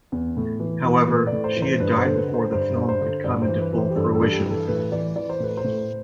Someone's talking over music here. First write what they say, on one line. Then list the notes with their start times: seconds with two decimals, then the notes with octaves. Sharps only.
However, she had died before the film could come into full fruition.
0.12 E2
0.37 A2
0.60 E3
0.85 E3
1.08 A2 B4
1.27 D5
1.32 A2
1.44 C5
1.56 E3
1.62 C5
1.80 G2 B4
1.98 C5
2.04 D3
2.16 B4
2.28 D3
2.34 C5
2.52 G2 C5
2.76 G2
2.89 C5
3.00 D3
3.24 G2 D5
3.42 C5
3.48 E3
3.60 B4
3.73 E3
3.78 C5
3.90 G4
3.96 G2 A4
4.15 A4
4.21 G2
4.32 G4
4.45 E3
4.50 A4
4.68 A2 B4
4.92 E3 D5
5.16 E3 D5
5.29 C5
5.40 A2 B4
5.57 C5
5.64 A2